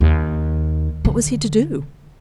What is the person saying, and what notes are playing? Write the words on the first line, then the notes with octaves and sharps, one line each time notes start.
What was he to do?
D#2
D3 D#3